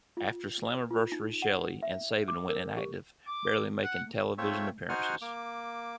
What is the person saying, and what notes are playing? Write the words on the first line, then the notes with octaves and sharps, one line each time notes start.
After Slammiversary Shelley and Sabin went inactive, barely making television appearances.
F4
B4
F4
D#4
F#5
E5
D6
A#4
G4
D6
F#5
A3 C4 F4 C#5 E5
D#4 F#4 C5 F#5 G#5 F6
A#3 D6